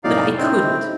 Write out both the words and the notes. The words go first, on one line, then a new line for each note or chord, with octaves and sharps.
But I couldn't!
F1 A2 F#3 D#4 D5 F5
C4 C#4 D#4 E4